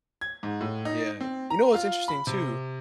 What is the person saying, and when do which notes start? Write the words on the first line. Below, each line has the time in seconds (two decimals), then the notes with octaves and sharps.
Yeah. You know what's interesting, too
0.21 G#6
0.43 G#2
0.61 A2
0.85 D#4
1.21 C4
1.50 A#5
1.74 F4
2.08 B5
2.27 C3